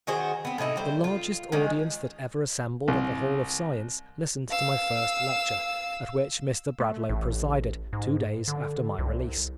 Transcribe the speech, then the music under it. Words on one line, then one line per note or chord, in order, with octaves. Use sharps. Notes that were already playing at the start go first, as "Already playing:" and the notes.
The largest audience that ever assembled at the Hall of Science listened to my first lecture, at which Mr. Bradlaugh presided, two days after my release.
D#3 F#4 G#4 C5
B3 C4
A2 C3 D#4 E4
G3 C5
F4
D#3 E3 G#3 C#4
C2
F5 E6
A3
A1
G#2
D3
C2